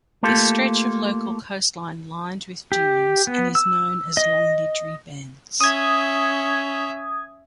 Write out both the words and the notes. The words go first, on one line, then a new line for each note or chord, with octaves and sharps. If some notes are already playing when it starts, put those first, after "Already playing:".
This stretch of local coastline lined with dunes and is known as Longniddry Bents.
A3 A#3 F4 G4 A4
G4
B3
E6
D#5
C#4 E5 D#6 G#6